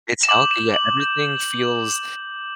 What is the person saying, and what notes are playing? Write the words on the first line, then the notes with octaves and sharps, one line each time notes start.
it's healthy, yeah, everything feels
E7
D6 G6 F#7
E7
F#7
D6 G6